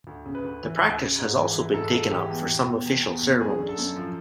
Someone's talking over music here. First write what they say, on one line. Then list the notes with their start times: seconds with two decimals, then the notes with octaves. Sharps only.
The practice has also been taken up for some official ceremonies.
0.07 D2
0.26 C#3
0.35 B4
0.44 D2
0.63 E3
0.81 D2
1.00 C#3
1.19 G#2
1.36 E3
1.55 E3
1.73 G#2 A4
1.92 G#2 A4
2.11 E3 G4
2.30 E2
2.48 B2
2.66 B2
2.86 E2
3.03 E2
3.22 B2
3.41 F#2 G#4
3.59 D3
3.69 A4
3.78 F#2
3.96 F3